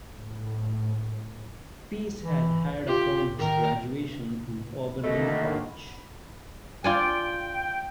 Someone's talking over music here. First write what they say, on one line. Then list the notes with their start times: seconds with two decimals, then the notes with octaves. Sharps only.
Pease had hired upon his graduation from Oberlin College.
0.17 A2
2.20 E3
2.87 F4 G4
3.39 D#3 A#4
5.03 B2 D3 D#3 A3 A#3 D#5
6.84 F4 D5 G5 G#5